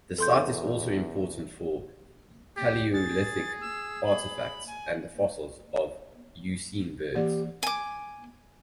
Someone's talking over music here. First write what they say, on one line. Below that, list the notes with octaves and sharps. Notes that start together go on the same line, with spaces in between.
The site is also important for Palaeolithic artefacts and the fossils of Eocene birds.
E2 A4 C6 G6
G4
G#4 A6
E6
B5
G#5
E3 A#3 G4 D5
G#5 D6